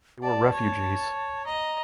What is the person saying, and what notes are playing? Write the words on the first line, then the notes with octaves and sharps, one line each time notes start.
They were refugees.
D5 A5
C#5
D#5 A#5